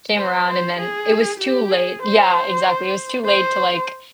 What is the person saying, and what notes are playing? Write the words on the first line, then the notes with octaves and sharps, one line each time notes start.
came around and then, it was too late yeah, exactly, it was too late to, like,
C5
C5
G#4
G4
G#4
C5
C5